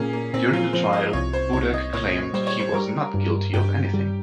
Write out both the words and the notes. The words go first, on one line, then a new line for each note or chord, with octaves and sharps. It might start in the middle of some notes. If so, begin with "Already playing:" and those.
During the trial, Budak claimed he was not guilty of anything.
Already playing: A#2 A#3 C#4 G#4
A#3
A#2 C4
F4
F3 C5
D#5
C2 C#5
C5
C2 C#5
D#5
A#2 C#5
G3 C5
C#5
C5
G3 A#4
G2
G2 G4
G3